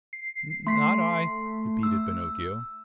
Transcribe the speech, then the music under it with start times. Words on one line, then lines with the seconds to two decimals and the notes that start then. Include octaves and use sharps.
"Not I," repeated Pinocchio.
0.13 C7
0.67 A3 C6 B6 C7
1.83 E6